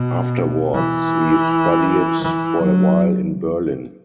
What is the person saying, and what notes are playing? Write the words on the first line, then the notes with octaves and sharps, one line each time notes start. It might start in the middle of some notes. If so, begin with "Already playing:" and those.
Afterwards, he studied for a while in Berlin.
Already playing: B2
E3
E3
F#3